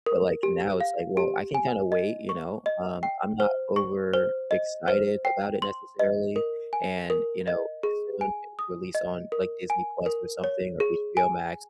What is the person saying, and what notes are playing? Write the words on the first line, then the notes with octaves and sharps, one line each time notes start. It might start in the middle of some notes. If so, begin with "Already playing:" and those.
but, like, now it's, like, "Well, I can kinda wait," you know? Um, I'm not overexcited about it, necessarily, and, you know, as soon it release on, like, Disney Plus or something, or HBO Max or
A#4
G4
F5
G4
G#5
D#5
C#6
D#5
G5
C5
C#6
C5
D#5
C5
G5
C6
D#5
A#4
G#5
A#4
D#5
G#4
G#5
D#6
D#5
A#4
G#5
A#4
C#5
G#4
G#5